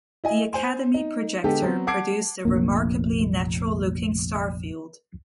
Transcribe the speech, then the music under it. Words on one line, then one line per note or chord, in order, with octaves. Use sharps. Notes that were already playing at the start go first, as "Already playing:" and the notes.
The Academy Projector produced a remarkably natural-looking star field.
E4 D#5 G#5
C5 G#5 C6
D#4
D3 G#3 B3 G4 A4
F#3 B3 C4
F#5 A5 D6 G#6 C7 D7
F1 A#1 F2 A#3